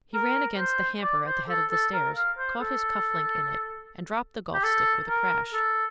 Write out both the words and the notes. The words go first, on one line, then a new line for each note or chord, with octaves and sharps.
He ran against the hamper at the head of the stairs, caught his cuff-link in it, and dropped the golf-stick with a crash.
A#4
C5
D5
C5
A4
A4
A#4
F5
C5
A4
G4
A4
A#4
A4